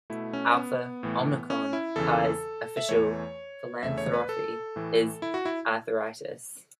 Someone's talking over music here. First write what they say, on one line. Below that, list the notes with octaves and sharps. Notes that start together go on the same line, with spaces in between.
Alpha Omicron Pi's official philanthropy is Arthritis.
B2 A3 E4
C#4
B3
A2 E3 A3
C#4
E4
E2 C#3 E3 A4
E5
E2 E3 A3 C#5
E2 C#3 A3 E5
C#5
B4
A4
A2 E3 A3
E4
F#4
E4